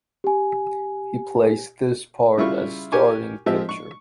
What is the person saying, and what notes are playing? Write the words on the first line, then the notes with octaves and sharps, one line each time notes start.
He plays this part as starting pitcher.
G4 G#5
C#3 G3 E4 F4 C#6
G4 A#4 G#5 C#6 D6
F3 G#3 C4 F4 G4 E5
C#6